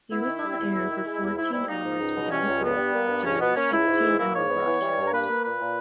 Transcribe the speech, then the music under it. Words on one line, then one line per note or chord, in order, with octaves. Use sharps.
He was on air for fourteen hours without a break, during a sixteen-hour broadcast.
B3 E4
D#3
G3
E2
E2
D#3
G#3
E2
G#2 E4
G3 E4
A#3 D#4
G#2
C#2
B2
G3 C#4
C#2
G2 B3
G3
A#3
G2
C#2 C#4
B2 B3
A#3 C#4
C#2 E4
G#2
E3
A#3 E4
G#2 C#5
B3
E3
G3
G2
A#4
A#3 B4
A#3
A#2 B4
A#2